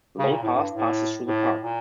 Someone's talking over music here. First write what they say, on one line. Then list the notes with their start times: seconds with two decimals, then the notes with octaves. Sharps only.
The Long Path passes through the park.
0.19 C#3
0.30 A#2
0.42 A2
0.54 G2
0.72 A2
1.26 A2
1.61 A#2